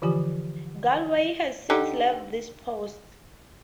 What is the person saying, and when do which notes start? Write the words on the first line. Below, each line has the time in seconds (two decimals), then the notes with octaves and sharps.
Galway has since left this post.
0.02 D3 E3 F3 F4 G4 G#5
1.70 D3 D#4 G4